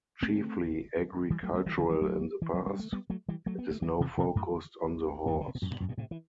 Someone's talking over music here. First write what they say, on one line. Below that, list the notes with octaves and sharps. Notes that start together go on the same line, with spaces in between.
Chiefly agricultural in the past, it is now focused on the horse.
A3 C4
E3 G3
F#3 A3
G3 B3
E3 G3
D3 F#3
E3 G3
F#3 A3
E3
F#3
G3
A3
G3 B3
F#3 A3
E3 G3
F#3 A3
B3
A3
E3 G3
C3 E3
C3 E3
F#2 A2
E2 G2
D3
C3
B2
F#2 A2
G2 B2
F#2 A2
G2 B2
A2 C3
E3